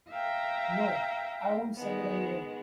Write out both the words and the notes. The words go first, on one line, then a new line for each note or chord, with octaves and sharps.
No, I won't send it anywhere.
E5 F5 G5 A#5
D#3 G#3 B3